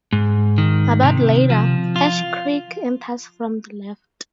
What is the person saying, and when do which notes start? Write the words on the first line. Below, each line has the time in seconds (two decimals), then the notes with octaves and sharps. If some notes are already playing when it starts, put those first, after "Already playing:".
About later, Ash Creek enters from the left.
0.13 G#2
0.58 D#3
1.03 C3
1.50 F3
1.96 F4